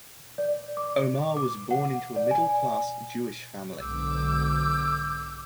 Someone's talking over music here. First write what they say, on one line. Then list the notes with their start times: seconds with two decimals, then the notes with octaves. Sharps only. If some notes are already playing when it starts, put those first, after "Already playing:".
Omarr was born into a middle class Jewish family.
0.38 D5
0.77 D6
1.37 D6
1.71 F#5
2.16 D5
2.31 G#5
3.79 B1 G#2 D3 D6 E6 G6